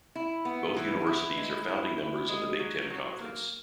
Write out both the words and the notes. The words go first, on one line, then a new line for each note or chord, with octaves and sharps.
Both universities are founding members of the Big Ten Conference.
E4
B3
E3
E4
G#3
E4
E4
G#3
F#3
F#3
A#3